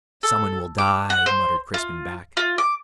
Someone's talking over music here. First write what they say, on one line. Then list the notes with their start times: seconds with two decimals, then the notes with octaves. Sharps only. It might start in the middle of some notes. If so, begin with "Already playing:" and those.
"Someone will die," muttered Crispin back.
0.23 A4
0.78 D6
1.10 F#5
1.26 C5
1.74 F4
2.37 F4
2.58 D6